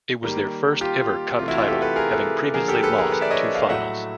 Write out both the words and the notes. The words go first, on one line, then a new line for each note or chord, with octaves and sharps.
It was their first ever cup title having previously lost two finals.
D#3 G3 A#3
F4 G4
C3 E3 A3 F4
E4 F#4
F4
G4 A4
A4 B4
G#4 A#4
A4 B4
D3 F3 A#3 G#4 A#4
G4 A4
A4 B4
G#4 A#4
A4 B4
D5 E5
C#5 D#5
D#5 F5
A2 F#3 A3 E5 F#5